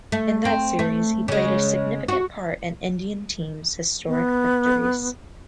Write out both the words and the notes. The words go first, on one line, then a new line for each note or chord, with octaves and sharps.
In that series, he played a significant part in Indian team's historic victories.
A3
C4
A3
C#3 G#3
F#4
B3